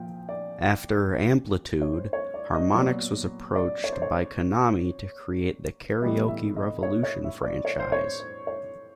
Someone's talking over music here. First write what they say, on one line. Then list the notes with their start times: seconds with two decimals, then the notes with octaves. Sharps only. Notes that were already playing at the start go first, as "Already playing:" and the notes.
After "Amplitude", Harmonix was approached by Konami to create the "Karaoke Revolution" franchise.
Already playing: A#2 F3 G5
0.29 D5
1.82 C#5
1.93 C5
2.13 C#5
2.34 D5
2.54 D#5
2.74 A#2 F#3 B3 D5
3.56 D5
3.84 C#5
3.92 C5
4.02 C#5
6.01 A2 E3 G3 B3 D#5
6.28 E5
6.56 D#5
6.83 C#5
7.03 C#5
7.24 E5
7.44 D5
7.65 C#5
7.80 C5
7.92 C#5
8.20 C5
8.47 C#5